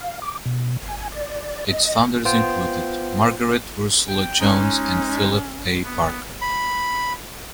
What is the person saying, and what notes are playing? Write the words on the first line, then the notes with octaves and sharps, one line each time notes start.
Its founders included Margaret Ursula Jones and Phillip A. Barker.
F5
D6
B2
G#5
D5
D#5
B3 F4 C5 G5
G5
G#3 C#4 D#4
B3
B5